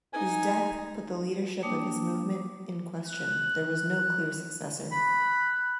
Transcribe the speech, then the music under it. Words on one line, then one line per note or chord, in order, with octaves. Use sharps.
His death put the leadership of his movement in question-there was no clear successor.
D#4 G#5
A#3 D4 G5 A5 D6 D#6
F#6
B5 F#6